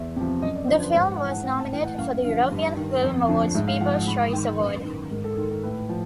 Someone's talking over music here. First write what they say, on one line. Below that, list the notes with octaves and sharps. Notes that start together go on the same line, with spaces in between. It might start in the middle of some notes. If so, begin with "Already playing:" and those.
The film was nominated for the European Film Awards People's Choice Award.
Already playing: E2 E5
C3 F3
F#2 D#5
D5
D3 F3 C5
B4
G#2 C5
F#5
E3
F#5
A2 G5
A5
E3 G5
F#5
F#2 F5
D3 F3 F5
G2
D#3
F2
D3 F3
G#2 E5
F5
F3 F#5
G#2 B5
D#3 G5
F#2 B4
D#3
G#2 A#4
A4
D#3 A#4
A#4
A2 B4
F3